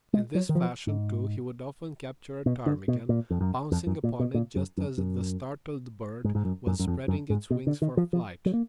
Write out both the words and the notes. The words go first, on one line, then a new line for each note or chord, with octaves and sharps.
In this fashion, too, he would often capture a ptarmigan, pouncing upon it just as the startled bird was spreading its wings for flight.
G#3
F#3
D#3
F3
G#2
B2
D3
B2
A#2
F2
F#2
F2
F#2
A#2
B2
A#2
F#2
F#2
F#2
G#2
G#2
F#2
F#2
F#2
F2
F#2
G#2
B2
D3
D#3
F3
F3
F#3
A#3